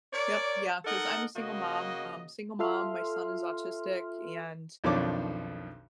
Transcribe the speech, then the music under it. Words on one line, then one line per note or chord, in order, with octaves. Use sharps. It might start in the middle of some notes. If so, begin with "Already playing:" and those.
Yep, yeah, 'cause I'm a single mom, um, single mom, my son is autistic, and,
A#4 C#5 D5
D#4 A4 A#4 D#5 F#5
C#3 A#3 F#4 D#5
F4 A4 E5 C6 F6
B1 F2 D#3 D4 C#5 D6